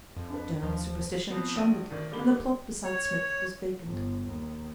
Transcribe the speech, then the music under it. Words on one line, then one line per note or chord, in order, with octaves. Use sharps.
General superstition had shunned it, and the plot beside Smith was vacant.
F2
D4 B4
D#2 F3
F3 B3 C4
A#1 D#6 D#7
D2 D#3 D5
D3 G3 A#3 D#4 B5 G7
C#5
G1
D#2